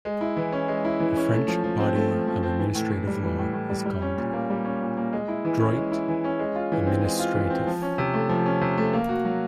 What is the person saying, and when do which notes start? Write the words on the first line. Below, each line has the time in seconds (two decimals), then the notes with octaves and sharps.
The French body of administrative law is called "droit administratif".
0.05 G#3
0.21 E4
0.37 E3
0.52 C#4
0.68 G#3
0.85 E4
1.00 E3
1.16 C#4
1.33 A3
1.48 F3
1.64 F3
1.80 C4
1.95 A3
2.11 F3
2.27 F3
2.43 C4
2.59 E3
2.75 A2
2.91 A2
3.07 G3
3.22 E3
3.39 A2
3.53 A2
3.70 G3
3.86 G3
4.02 C#4
4.17 A#2
4.33 A#3
4.50 G3
4.65 C#4
4.81 A#2
4.97 A#3
5.13 G#3
5.28 E4
5.45 E3
5.60 C#4
5.76 G#3
5.92 E4
6.08 E3
6.24 C#4
6.39 G#3
6.55 F4
6.72 E3
6.86 C4
7.03 G#3
7.19 F4
7.35 E3
7.50 C4
7.67 F3
7.82 C#4
7.98 C3
8.14 A3
8.29 F3
8.46 C#4
8.61 C3
8.78 A3
8.93 A#3
9.09 F#4
9.25 F#3